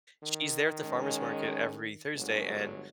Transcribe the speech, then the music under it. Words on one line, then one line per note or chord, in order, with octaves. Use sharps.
She's there at the farmer's market every Thursday, and
D#3
G#3 C#4
G1 D3 F#3 G#3